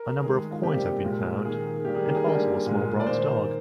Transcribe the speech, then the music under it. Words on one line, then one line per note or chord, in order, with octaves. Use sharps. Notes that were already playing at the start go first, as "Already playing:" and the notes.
A number of coins have been found and also a small bronze dog.
Already playing: A#4
D#3 G#3 G#4
F4
C3 G3 A#3 G4
A#2 G#3
D#3 A#3 G#4
D#3 G3 A#3 G4
G#4
A#4
G#4
D3 G3 A#3
A#2 G#3
D5
D#3 A#3 C5